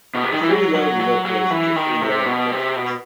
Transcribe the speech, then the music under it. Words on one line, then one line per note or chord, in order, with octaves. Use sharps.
The three-lobed lip grows into three yellow projections.
B2
C3
D#3
E3
F#3
F#3
F#3
F#3
E3
D#3
C3
B2
C3
B2